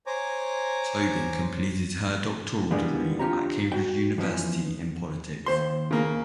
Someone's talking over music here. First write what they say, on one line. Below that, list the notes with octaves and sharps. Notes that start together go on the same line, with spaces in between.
Tobin completed her doctoral degree at Cambridge University in politics.
C5 C#5 G#5 A#5 D6
E3 G3 G#3 A#3 B3 D4
D4 D#4 F4 G4 C#5 A#5
F#4 G5
E3 F3 B3 C#4
D#2 C5 C6
C#3 A#3